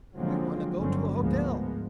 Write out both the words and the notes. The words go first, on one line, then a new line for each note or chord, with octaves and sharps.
"We want to go to a hotel."
D3 F3 F#3 G#3 A#3 C4
G1 D3 F#3 C4 C#4
D2 G#2 F3 G#3 A#3 B3